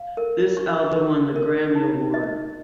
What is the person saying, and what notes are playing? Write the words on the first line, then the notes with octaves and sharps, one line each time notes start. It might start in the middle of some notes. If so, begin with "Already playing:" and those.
This album won the Grammy Award.
Already playing: F5
A#4
C#6
A#4
A#4
D#4
D#5